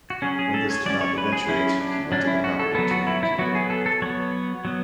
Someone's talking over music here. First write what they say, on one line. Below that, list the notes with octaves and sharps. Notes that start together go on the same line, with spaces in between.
When this did not eventuate, he rented the property to an innkeeper.
F#4
F#3 C#4 G#4
G#4
A4
C#5
F#3 C#4 D5
C#5
B4
G#4
F#3 C#4 E4
D4
F#3 C#4 D4
E4
F#4
A4
F#3 B3 A4
F#4
E4
E4
F#3 B3 F#4
G#4
A4
A4
F#3 B3 C#5
F#3 B3